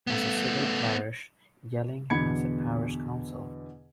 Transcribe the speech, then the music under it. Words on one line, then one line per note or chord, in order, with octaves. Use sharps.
As a civil parish, Yelling has a parish council.
A3 B3
E2 B2 D3 B5 G#6 C#7